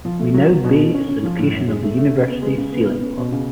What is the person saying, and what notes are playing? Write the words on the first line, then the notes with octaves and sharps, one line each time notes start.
Mainau Bay is the location of the university sailing club.
F3
A3
F#3
F#3
B2
B2
C#4
C#4
F3
A2
F#2
G#3
A3
A3
C#3
B3
G#3
C#3
B3
B3
C#4
B2
C#3